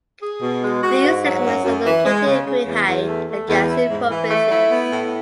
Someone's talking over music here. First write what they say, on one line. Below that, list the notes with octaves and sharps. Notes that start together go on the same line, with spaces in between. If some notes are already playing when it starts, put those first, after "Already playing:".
These segments are located in Qinghai and Gansu provinces.
G#4
B2
G#3
F#4
G#2
F#3
F#2
F#2
E3
G#3
C#3
C#3
E2
E2
A3
A3
E2
E4
G#2
E3
A3
E4
B3
A2